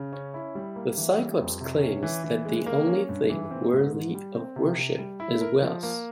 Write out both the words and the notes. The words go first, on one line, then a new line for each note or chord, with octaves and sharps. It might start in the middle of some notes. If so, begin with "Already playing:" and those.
The cyclops claims that the only thing worthy of worship is wealth.
Already playing: C#3
C#4
E4
G3
A#3
E3
G3
F2
C3
C#4
E3
E3
G#3
A#3
C#4
G2
E3
C4
G#2
G#2
G3
C4
C3
C3
G3
E4
A#4
F3
A#3